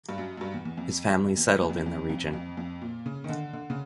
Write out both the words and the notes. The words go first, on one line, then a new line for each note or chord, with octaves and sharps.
His family settled in the region.
G2
F#2
F#2
G2
E2
E2
F2
E2
E2
F2
F2
F2
F2
F2
A#2
C#3
D#3
D3
D3
C#3